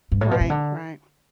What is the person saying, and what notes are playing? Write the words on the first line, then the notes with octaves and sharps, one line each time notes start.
Right, right.
G2
A2
B2
C3
D3